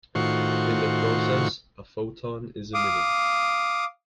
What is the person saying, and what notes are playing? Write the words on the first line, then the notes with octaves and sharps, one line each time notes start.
In the process, a photon is emitted.
A2 D#3 F4 F#4 C5 C#6
F5 D6 D#6